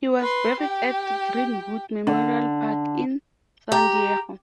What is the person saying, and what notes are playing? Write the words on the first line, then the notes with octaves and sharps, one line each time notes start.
He was buried at Greenwood Memorial Park in San Diego.
B4 C6
G4 G5
D3
G4 A#5